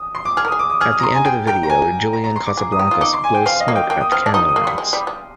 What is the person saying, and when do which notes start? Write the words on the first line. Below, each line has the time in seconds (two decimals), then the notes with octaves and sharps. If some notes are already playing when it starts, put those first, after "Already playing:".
At the end of the video, Julian Casablancas blows smoke at the camera lens.
Already playing: D#6
0.15 C6
0.25 D6
0.37 G#4 F6
0.45 A#4
0.48 G#4 D#6
0.59 D6
0.70 D#6
0.81 G#4 F6
0.93 D#6
1.00 A#5
1.03 C6
1.14 G#5
1.25 G#4 G5
1.47 A#4 G5
1.63 A#5
1.70 A#4 G#5
2.13 A#5
2.24 A#5
2.36 C6
2.46 D6
2.57 G#4
2.72 D#6
2.79 G4
2.87 F4 D#6
3.01 D#4 D6
3.13 C6
3.24 G#5
3.35 G5
3.46 C4 F5
3.60 D#5
3.68 A#3
3.76 G5
3.90 A#3 G5
4.01 D#6
4.12 C4 F6
4.26 D4
4.34 D#4 D#6
4.49 D#6
4.56 A#3
4.64 G3 C6
4.78 G#3
4.93 G3
5.07 G3